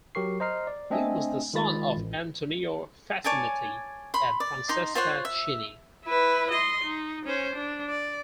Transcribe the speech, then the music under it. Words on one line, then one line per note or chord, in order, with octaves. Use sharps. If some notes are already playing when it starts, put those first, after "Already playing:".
He was the son of Antonio Facchinetti and Francesca Cini.
F#3 G4 A#4 C#6 C7
C5 D#5 A#5 F6 C7
D5
A3 C4 D4 D#5 E5 G#5
D#3 G#3 F4 B5 A6
A1
C#5 D5 G#5 A5
B5 C6
D5
D#4 C6
F4 C5 C#5 F#5
E5
E4 B4
D#5 C6
D#4
C#4 C5
D4
D5